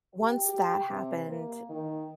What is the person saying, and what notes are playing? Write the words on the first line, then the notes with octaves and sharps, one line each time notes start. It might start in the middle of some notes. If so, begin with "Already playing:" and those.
once that happened,
G4
G4
C3
A#3
D#3